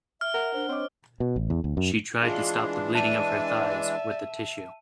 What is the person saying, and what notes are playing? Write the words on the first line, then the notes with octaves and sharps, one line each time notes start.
She tried to stop the bleeding of her thighs with a tissue.
E5 F6
A#4 F#5
D4 C5
C4 C#5 D#5 D6
B2
A1
E2
D2
F#2
E3 G#3 D4 F4 G#4
D5 E5 A5 D#7